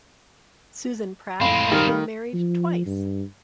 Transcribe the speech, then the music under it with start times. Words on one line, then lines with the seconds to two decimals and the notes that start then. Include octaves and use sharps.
Susan Pratt has been married twice.
1.41 F2 A2 G#3 C4 F5 B5
1.72 D#3 G3 A#4 F6
2.34 F3
2.86 G2